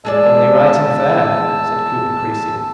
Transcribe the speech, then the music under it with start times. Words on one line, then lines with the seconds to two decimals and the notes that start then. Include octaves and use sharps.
"Only right and fair," said Cooper Creasy.
0.05 E2 G#3 G#4 D5 A5 E6